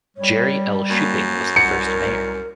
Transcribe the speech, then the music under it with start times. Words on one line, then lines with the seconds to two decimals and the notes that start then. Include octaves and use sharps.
Jerry L. Shuping was the first mayor.
0.17 G3 C#5
0.90 F#2 A#3
1.56 C2 F#5 C#7
1.86 A#4